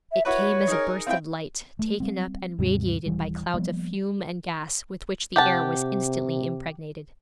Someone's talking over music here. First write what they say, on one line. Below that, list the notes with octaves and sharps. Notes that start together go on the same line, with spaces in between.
It came as a burst of light taken up and radiated by clouds of fume and gas with which the air was instantly impregnated.
E5
E4 F#4 B4 C#5
D#4 G#4 A#4
C4 E4 F5 G5
A3
G3 C4
D#2 G#2 C3 G3
D#1 E3 G3
F3 G3 A#3 B3
C3 G4 F#5 A5